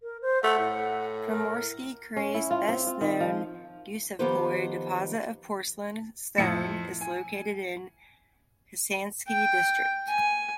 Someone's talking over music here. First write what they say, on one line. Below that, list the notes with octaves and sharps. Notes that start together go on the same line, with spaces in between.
Primorsky krai's best-known Gusevskoye deposit of porcelain stone is located in Khasansky District.
A#4
C5
A3 F#5
A2
A#4
C#4
E4
F4
C4
F4
D#3
F3
D#3 F3 B3 G4 B4 C5
F2 A2 A3 E4 C#7
G#5
G5
G#5